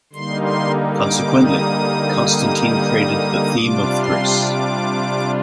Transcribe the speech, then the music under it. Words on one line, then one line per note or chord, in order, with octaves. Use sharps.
Consequently, Constantine created the Theme of Thrace.
D3 G3 A#3 D#4 C6
C6
D6
D#6
C3 G3 D4 F4 D6
C6
D6